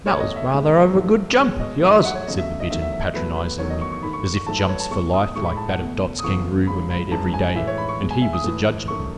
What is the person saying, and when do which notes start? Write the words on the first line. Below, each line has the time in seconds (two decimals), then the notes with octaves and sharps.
"That was rather a good jump of yours," said the Bittern, patronizingly, as if jumps for life like that of Dot's Kangaroo were made every day, and he was a judge of them!
0.06 E2 B2 A3 C#5
0.20 D#5
0.36 E5
0.50 B2 G#3
0.94 G#2 F#3 A3
1.38 B2 G#3 C#5
1.60 D#5
1.83 G#2 F#3 A3 E5
1.94 E5
2.05 F#5
2.15 C#5
2.26 E2 C#3 F#3 A3 D#5
2.38 E5
2.60 D#5
2.70 E2 D#3 F#3 A3 E5
2.82 E5
2.93 E5
3.04 D#5
3.14 B2 F#3 A3 B4
3.36 B4
3.58 E2 D#3 F#3 A3 C#5
3.70 D#5
3.81 C#6
3.92 C#6
4.03 G#2 D#3 A3 B5
4.13 C#6
4.25 C#6
4.36 C#6
4.47 G#2 F#3 A3 A5
4.58 B4
4.69 C#5
4.80 A5
4.91 B2 A3 C#6
5.13 D#6
5.35 A2 G#3 C#6
5.46 B5
5.57 A5
5.68 F#5
5.79 E2 B2 A3
6.19 D#6
6.23 E2 C#3 E3 A3 C#6
6.67 F#2 C#3 G#3 B5
6.90 B5
7.11 F#2 E3 G#3 A5
7.34 G#5
7.55 A2 E3 G#3 E5
7.67 C#5
7.78 B5
7.89 C#6
8.00 B2 G#3
8.11 G#5
8.22 E5
8.33 D#6
8.44 A2 E3 A3
8.88 F#2 D#3 A3 C#6